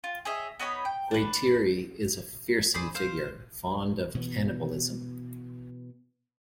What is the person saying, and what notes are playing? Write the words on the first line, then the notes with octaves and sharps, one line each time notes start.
Whaitiri is a fearsome figure, fond of cannibalism.
F4
G#4 C#5 D#5 E5
B3 D#4 C#5 B5
G5
D4 B4
G#4 C5 D5 B5
C5 F5
B2 E3 B3